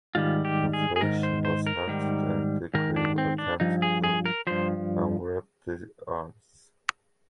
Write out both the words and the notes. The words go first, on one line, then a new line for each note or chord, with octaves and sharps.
Inflation was halted and the crew attempted to unwrap the arms.
G#2 D#3 G3 F4
G4
G#4
G#4
G#2 D#3 A#4
C5
C5
A#4
G#2 D#3 G3
G#2 D#3 A#4
D4
C4
D4
G2 F3 D#4
G#4
G#4
A#4
G2 F3 C5